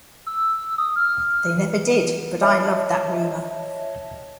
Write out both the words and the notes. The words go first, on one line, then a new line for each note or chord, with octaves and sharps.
They never did, but I loved that rumor.
E6
D#6
F6
E3
C#5 D#5 E5 A5